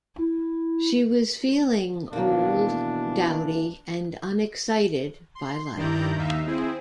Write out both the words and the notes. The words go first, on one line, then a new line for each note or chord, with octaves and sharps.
She was feeling old, dowdy and unexcited by life.
E4
D#2 B2 E3 A#3 D4
C6
G2 D#3 E4 D5 A#5 G6
D#2 D#4 E5 F5
C4 E4 G#4